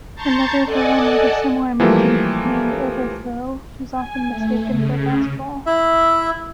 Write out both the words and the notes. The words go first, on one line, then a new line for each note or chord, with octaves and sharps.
Another villain with a similar motif, named Overthrow, was often mistaken for Fastball.
A5 A#5 C6 C#6 G6 A6
A4 D5 D#5 F#5 G#5 A5
E3 F3 G3 A3 A#3
G#5
A3
C#3
E4 E5